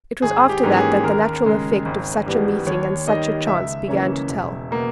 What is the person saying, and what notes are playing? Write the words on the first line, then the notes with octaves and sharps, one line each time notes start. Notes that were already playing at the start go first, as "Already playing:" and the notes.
It was after that that the natural effect of such a meeting and such a chance began to tell.
G#1 G#4
G4
G#2 E3 A#3 C#4
G#4
D#2 A#4
C#3 G#3
G#1
G2 E3 G3 B3
D#2 C#5
D#3 G3 D#5
C#2 E5
C#3 E3 A#3 C#4
E1
B2 A#3